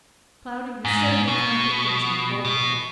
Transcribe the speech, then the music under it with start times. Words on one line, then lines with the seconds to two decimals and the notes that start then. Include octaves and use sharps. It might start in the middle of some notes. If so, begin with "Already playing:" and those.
Cloudy, you certainly can put things in an awkward way.
0.85 G#2
1.28 B2
2.45 B2